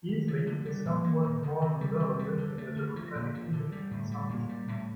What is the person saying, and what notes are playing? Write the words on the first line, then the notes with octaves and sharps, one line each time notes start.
Easley is somewhat more conservative than the Democratic leadership on some issues.
D#3
F3
D3
G3
A#2
A#3
D#3
D#3
C3
G3
C3
G3
D3
A3
D3
F3
A#2
F3
D3
G3
A2
G3
A#2
G3
A2